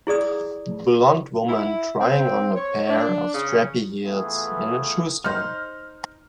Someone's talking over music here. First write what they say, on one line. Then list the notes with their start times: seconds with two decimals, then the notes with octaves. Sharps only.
Blond woman trying on a pair of strappy heels in a shoe store.
0.07 E4 G#4 D5 D#6
1.49 E4
2.00 C4
2.56 C#5
2.89 D4
3.34 C#3
4.04 E3 A3 B3 F4 G#4
5.24 D#4 C5 F6